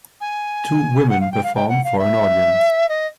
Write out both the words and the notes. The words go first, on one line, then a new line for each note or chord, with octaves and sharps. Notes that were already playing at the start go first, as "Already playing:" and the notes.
Two women perform for an audience.
G#5
F#5
F5
G5
F5
G5
F#5
F5
E5
D#5